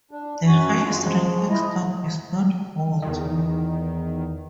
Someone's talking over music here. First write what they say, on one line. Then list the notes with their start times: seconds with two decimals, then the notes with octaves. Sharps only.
The highest ranking stock is not bought.
0.11 D4
0.46 F#2 F#4 G#5
0.84 G#3 F4
1.01 F3 G#3
1.50 E4 D#5
3.02 E2 D#3